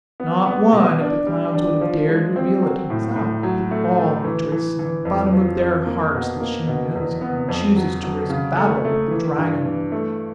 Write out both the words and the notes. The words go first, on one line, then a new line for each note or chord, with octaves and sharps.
Not one of the clowns would have dared reveal it himself, but all rejoice in the bottom of their hearts that she knows it, and chooses to risk battle with the Dragon.
B3
B3
B2
D4
G3
D4
F3
G#3
C4
F#3
A2
A2
F#3
A3
A3
E3
E3
E3
F2
F3
F2
A#3
B2
A#3
B2
E2
B3
F2
F#3
F#3
C#3
A3
A3
E3
G2
E3
A3